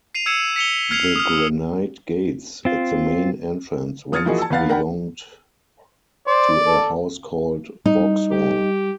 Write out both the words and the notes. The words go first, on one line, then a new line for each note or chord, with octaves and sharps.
The granite gates at the main entrance once belonged to a house called Vauxhall.
C7 D#7 F7
E6 G#6 C#7 E7
B6 C#7 F7 G7
F6 G#6 C7 C#7 F7
D#6 F6
C4 F4
F3 D#6 F6 G#6 A6 C#7
E3 F3 A#3 F#4 G#4 D#5
A5 E6
E2 B3 B4 F5 F#5 A6
D4 A#4 F#5 G5 B5
C5 D5
A4
G3 D#4
G4